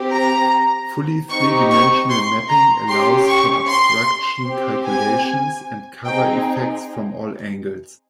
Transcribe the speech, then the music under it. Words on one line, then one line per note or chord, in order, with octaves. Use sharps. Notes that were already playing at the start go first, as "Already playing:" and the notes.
Fully three-dimensional mapping allows for obstruction calculations and cover effects from all angles.
Already playing: C4 G4
A#5
C4 D#4 G4 C#6
C#6
C6
A#5
C#4 G4 C6
C#6
C6
C4 G4
G#5
C4 D#4 G#4 G5